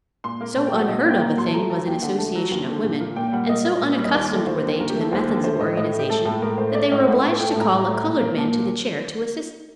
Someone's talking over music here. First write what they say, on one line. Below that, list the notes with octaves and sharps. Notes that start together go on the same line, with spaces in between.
So unheard of a thing was an association of women, and so unaccustomed were they to the methods of organization, that they were obliged to call a colored man to the chair to assist them.
A#2 C6
A#3
A#2 A5
G5
F#3
F#5
A#2 D#5
F#5
A#3
G5
A#2 A#5
F#3 C6
A5
A3 A#5
F#3 A5
D#2 G5
D3 F#5
A3 A5
F#3
D#2
D3
A#2
A#3
A#2 G5
G5
G3 F#5
A#2 D#5
A#3
A#2
G3
D#5
D#2 D5
A3
D#2 C5
D3
D#2 A#4
G4
A3 A4
D#2 C5
D3
A3 C5
A2 D#5
A2 D#5
A3
G4
A3 A4
A2 A4
A2 A#4
A3 C5
A3 D5
A2 D#5
A2 F#5
A3
A3 G5
A5
A2
A#5
A2
A3
A#2
A#3
A#2 A5